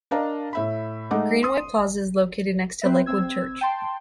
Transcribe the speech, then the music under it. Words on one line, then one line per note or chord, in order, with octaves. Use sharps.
Greenway Plaza is located next to Lakewood Church.
D4 A#4 D#5 F5 A5 A#5
A2 E5 B5
G#3 A3 D#4 F#5 D6
C6 D#6
C4 B4 E5
C4 E6 G#6
G5 A5 C6